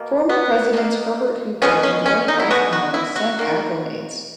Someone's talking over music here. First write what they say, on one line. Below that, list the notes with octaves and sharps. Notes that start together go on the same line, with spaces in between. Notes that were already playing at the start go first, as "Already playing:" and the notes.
Former Presidents Herbert Hoover and Dwight Eisenhower sent accolades.
Already playing: B2 A#3
B3
B2 A#3
B2 G#3 B3 C#4
C#4
C#4
D#4
E4
B2 G#3 B3 F#4
F#4
E4
F#4
D#3 A#3